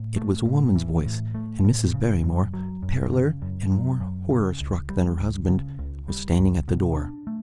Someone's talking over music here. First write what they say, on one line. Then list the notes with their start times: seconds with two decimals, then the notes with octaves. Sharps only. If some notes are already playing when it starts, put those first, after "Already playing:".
It was a woman's voice, and Mrs. Barrymore, paler and more horror-struck than her husband, was standing at the door.
Already playing: A2
0.16 A3
0.46 A2
0.75 E3
1.05 A2
1.34 A3
1.64 A2
1.94 C#3
2.24 F#2
2.54 F#3
2.83 F#2
3.13 C#3
3.42 F#2
3.71 F#3
4.00 F#2
4.30 C#3
4.60 C#2
4.90 G3
5.20 C#2
5.49 C#3
5.79 C#2
6.08 G3
6.38 C#2
6.68 B2
6.97 D4
7.27 A3